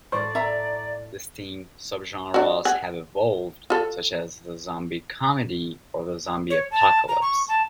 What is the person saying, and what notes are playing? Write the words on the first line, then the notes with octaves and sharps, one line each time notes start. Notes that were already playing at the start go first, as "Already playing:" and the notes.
Distinct subgenres have evolved, such as the "zombie comedy" or the "zombie apocalypse".
A2 C5 D5 C#6
E5 A#5
D4 F#4
F#5 G#5
F4 A4
C#5
A5
A#5
C#6
A5